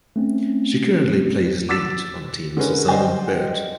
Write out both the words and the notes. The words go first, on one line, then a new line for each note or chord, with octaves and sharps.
She currently plays lead on Team Suzanne Birt.
A3 C4 C#4
D6 E6 A6 B6 E7
D3 G#3 C#4 A#4 B4
C5 D5 D#5 F#5 G5